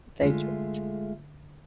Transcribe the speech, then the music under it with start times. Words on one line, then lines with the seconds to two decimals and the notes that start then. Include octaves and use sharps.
they just
0.21 D3 G#3 A3 F4